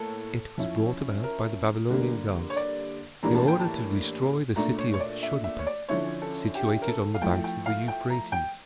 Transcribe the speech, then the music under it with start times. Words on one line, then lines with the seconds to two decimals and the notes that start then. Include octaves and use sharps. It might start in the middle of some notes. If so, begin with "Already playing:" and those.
It was brought about by the Babylonian gods in order to destroy the city of Shurippak, situated on the banks of the Euphrates.
Already playing: A2 A#3 A4
0.58 F3 C#4 E4
1.23 A#4
1.91 D3 G3 A#3
2.50 C#5
2.56 D5
3.23 A2 E3 G3 A#3 D4 A#5
3.35 A5
3.48 G5
3.60 A5
4.56 A#2 A3 D4 A#5
4.78 C#5
4.94 C#5
5.00 D5
5.23 E5
5.44 E5
5.59 C#5
5.66 D5
5.89 D3 F3 C#4 E4 C#5
6.22 A4
6.55 G4
6.82 A#4
6.88 A4
7.14 F5
7.21 F3 A3 E4 G5
7.44 G5
7.66 F5
7.88 G5
8.10 A#5
8.32 G5